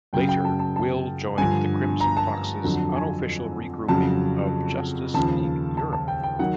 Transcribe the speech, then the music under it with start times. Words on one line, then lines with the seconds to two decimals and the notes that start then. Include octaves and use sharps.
Later, Will joined the Crimson Fox's unofficial re-grouping of Justice League Europe.
0.13 F#2 C#3 F#3 G5
0.29 G5
0.45 A5
0.60 A5
0.76 A5
1.38 G2 D3 F3 G#5
2.00 A#5
2.17 A5
2.64 F2 D3 F#3
2.95 G#5
3.88 F2 C#3 F#3 A5
5.14 D#2 C#3 F3 A5
5.77 A5
5.93 A5
6.08 G5
6.23 G5
6.39 D#3 F#3 F#5